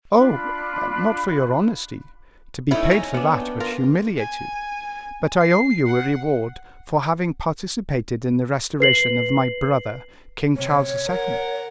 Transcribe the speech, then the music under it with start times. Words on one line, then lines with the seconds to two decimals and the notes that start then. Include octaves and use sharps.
"Oh, not for your honesty, to be paid for that would humiliate you; but I owe you a reward for having participated in the restoration of my brother, King Charles II."
0.16 D4 F4 B5 F#6
2.71 A3 C#4 D#4 E4
2.91 C#4 G#5 A#5
3.14 B3 D4
3.41 G5
3.60 F4 A#4
4.17 G#5
5.41 C7
5.86 F#5
8.80 B4 C7 F#7
10.56 C3 C#5
11.08 A#4 F#5